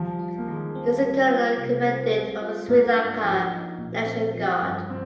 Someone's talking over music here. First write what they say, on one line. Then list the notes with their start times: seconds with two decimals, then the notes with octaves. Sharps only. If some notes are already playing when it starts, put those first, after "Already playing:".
He is the Colonel Commandant of the Sri Lanka National Guard.
Already playing: F3 G3
0.19 F4
0.38 A#3
0.48 D#3 G#3
0.75 C4
1.02 G3
1.30 F4
1.58 C3
1.85 C4
2.13 G3
2.41 F4
2.68 G#2 A#3
2.96 D4
3.24 F3
3.51 D#4
3.78 A#2
4.06 C4
4.34 F3
4.62 G2
4.90 C4